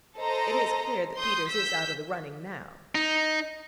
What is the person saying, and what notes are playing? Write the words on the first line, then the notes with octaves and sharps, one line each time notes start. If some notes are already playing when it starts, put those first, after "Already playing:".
It is clear that Peters is out of the running now.'
A4 C5 D#5 A#5
C6 D#6 G6
E6 G6 B6
D#4